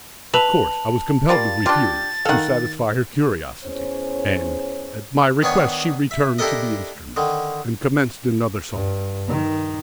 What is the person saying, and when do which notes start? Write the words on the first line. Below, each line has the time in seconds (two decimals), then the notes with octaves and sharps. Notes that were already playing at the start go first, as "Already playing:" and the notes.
Of course, I was compelled to refuse to satisfy her curiosity, and at my request she returned to the instrument and commenced another song.
0.34 B4 E5 A5 F7 F#7
1.29 G3 A#3 F4 A6
1.66 D4 F4 G4
2.25 D#3 A4 F5 F#5
3.63 E2 C#4 C5 C#5
5.42 D#3 B3 D4 C#5 G#5
6.11 E5
6.39 D4 E4 G4 A4 A#4 D#5
7.16 D3 D#3
8.72 G2
9.28 D#3